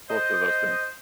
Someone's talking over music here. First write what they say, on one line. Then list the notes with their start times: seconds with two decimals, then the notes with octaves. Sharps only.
Both of those things.
0.09 C5 D#5